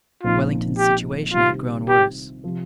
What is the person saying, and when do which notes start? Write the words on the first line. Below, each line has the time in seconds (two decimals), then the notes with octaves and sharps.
Wellington's situation had grown worse.
0.23 A#1 A#2 F3 C4 D#4 F4
0.78 G4
1.34 C3 D#3 G3 C4 F4
1.89 G4
2.44 C3 F3